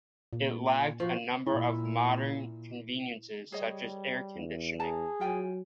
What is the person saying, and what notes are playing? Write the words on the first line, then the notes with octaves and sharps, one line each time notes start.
It lacked a number of modern conveniences, such as air conditioning.
A#2
F3 F#4
A#2 E4
G3 G#4 C#5 D#5
E2
G#4 A5 A#5
F#3 F4 G5 G#5